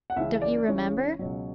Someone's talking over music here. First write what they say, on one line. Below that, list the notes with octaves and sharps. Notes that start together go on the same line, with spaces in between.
'Don't you remember?
F#5
C#2 C#3 E3 E5
D5
C#2 C#3 E3 C#5
C#2 B2 F#3